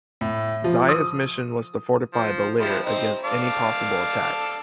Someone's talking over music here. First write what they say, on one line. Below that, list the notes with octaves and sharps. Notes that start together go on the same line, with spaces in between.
Zayas mission was to fortify Baler against any possible attack.
A2
F3
D#6
F3
F3 G3 E4
C4 D#4
A4 D5 F5